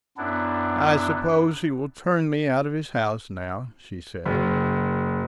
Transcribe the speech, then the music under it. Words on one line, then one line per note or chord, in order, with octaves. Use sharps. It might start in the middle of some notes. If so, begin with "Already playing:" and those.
"I suppose he will turn me out of his house now," she said.
F#2 B3 D4 E4
F#1